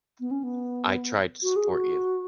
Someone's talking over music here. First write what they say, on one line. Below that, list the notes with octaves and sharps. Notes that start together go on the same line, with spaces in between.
I tried to support you.
B3
C#4
B3
F#4
G#4
F#4